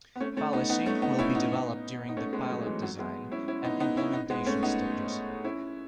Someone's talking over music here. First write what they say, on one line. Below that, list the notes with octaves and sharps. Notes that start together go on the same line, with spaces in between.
Policy will be developed during the pilot design and implementation stages.
B3
A3 C#4
A3 C#4
B3 D#4
B3 D#4
A3 C#4
B3 D#4
C#4 E4
B3 D#4
D#4
A3 C#4
G#3 B3
F#3 A3
E3 G#3
F#3 A3
G#3 B3
C#4 E4
C#4 E4
B3 D#4
B3 D#4
C#4 E4
B3 D#4
G#3 B3
A3 C#4
B3 D#4
C#4 E4